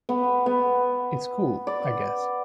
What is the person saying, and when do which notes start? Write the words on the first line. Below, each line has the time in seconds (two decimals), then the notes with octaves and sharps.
It's cool-I guess.
0.09 B3
0.46 B3
1.67 D5